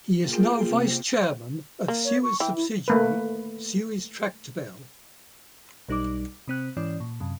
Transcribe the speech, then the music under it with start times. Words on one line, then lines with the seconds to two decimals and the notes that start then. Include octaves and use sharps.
He is now Vice Chairman of Suez subsidiary, Suez-Tractebel.
0.20 A#3 F4 G#4 G5
0.68 C3 A#3 C4
1.88 A#3
2.05 C#5
2.23 C#6
2.40 E3 G5
2.56 E4
2.88 A3 A#3 B4
5.89 B1 G3 D#4 D5 D6
6.48 C3 C4 F#6
6.77 G#2 E3 C#4 D5
7.00 A#2
7.20 F#2 C3